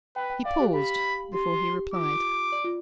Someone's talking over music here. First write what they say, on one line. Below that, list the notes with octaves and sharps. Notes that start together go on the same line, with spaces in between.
He paused before he replied.
B4 G5
G5
D5 F5
G4
G4 B5
G4 C6
G4
G4
F4 D6
D5
F4